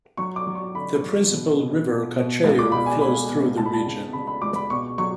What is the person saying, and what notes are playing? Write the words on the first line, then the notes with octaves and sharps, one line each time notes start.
The principal river, Cacheu, flows through the region.
F#3 C#6
D6
F#3
C#6
D3 B5
F#3
B2
B2
B2
B2
C#2
D6
B2 B5
G#5
A3 B5
B2
C#2 A5
B5
A5
C#3
C#3 B5
B5
C#2 D6
B5
B2 C#6
F#3 C#6